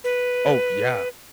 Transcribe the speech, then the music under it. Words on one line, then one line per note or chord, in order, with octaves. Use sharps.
Oh, yeah.
B4